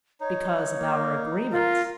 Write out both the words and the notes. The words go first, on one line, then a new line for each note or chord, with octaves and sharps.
"Because of our agreement."
D#4 C#5
A#3
F4 A#4